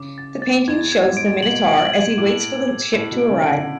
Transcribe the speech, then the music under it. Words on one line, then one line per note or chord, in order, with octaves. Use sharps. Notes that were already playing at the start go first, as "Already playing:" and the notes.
The painting shows the Minotaur as he waits for the ship to arrive.
Already playing: C#3 D6
A6
A6
E2 G#6
G#6
G#2
D7
B2 F#7
D7
G#6
A2 D6
D7
F#7
A2 D7
B2
D7
C#3
D7
D3